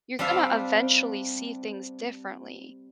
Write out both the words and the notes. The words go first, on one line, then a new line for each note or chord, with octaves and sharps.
you're gonna eventually see things differently,
G3 C4 D4 E5 F5